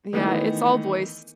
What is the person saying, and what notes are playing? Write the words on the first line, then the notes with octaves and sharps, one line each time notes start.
Yeah, it's all voice.
D#3 E3 A3 B3